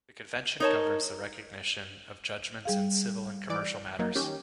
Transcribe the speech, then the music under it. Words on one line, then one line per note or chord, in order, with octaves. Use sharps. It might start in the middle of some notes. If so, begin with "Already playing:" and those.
The convention governs the recognition of judgements in civil and commercial matters.
D#4 A#4 C#5 A5
G3 G#4 F5
E3 D5 D7
F#3 A#3 D#4
D#3 C#4 G4